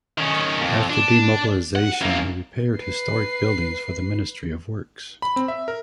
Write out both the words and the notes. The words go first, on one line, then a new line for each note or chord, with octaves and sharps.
After demobilisation he repaired historic buildings for the Ministry of Works.
D#3 C#4
F2
D4
F#5
F#2 A#3
B4 C7
B5
C4
E5
A#4